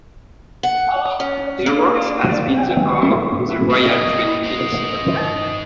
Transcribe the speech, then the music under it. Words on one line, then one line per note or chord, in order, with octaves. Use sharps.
The Works has been the home of the Royal Train fleet.
F#5
C#4
A#3
B2 A#3 D#5
D#4 C5